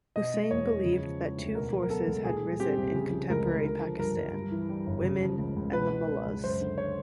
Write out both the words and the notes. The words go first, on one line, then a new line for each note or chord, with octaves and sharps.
Hussain believed that two forces had risen in contemporary Pakistan: women and the mullahs.
B2 D#5
G#3
E2 C#5
E2
C#3
F3
G#3
D2
B2 A#4
F#3
A#4
B3 A4
C#2
A#2 G#4
G3
C4 G4
C2
C#3 G#4
F3
C#2 A#4
C#2
D3 A#4
F3
G2 A#4
G2
G2
E3
G3
G1
C#3
F3
C#2
C#2
B2 B4
G#3
C#4
C#2
F#2 C5
D3
C#5